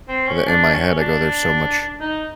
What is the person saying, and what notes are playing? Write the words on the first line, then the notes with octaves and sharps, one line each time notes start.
that in my head, I go "There's so much
C4
C#4
D4
C#4
D4
D#4